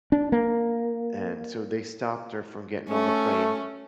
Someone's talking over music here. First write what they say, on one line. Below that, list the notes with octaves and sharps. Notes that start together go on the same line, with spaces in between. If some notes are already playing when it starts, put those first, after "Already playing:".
And so they stopped her from getting on the plane.
D4
A#3
A3 C#4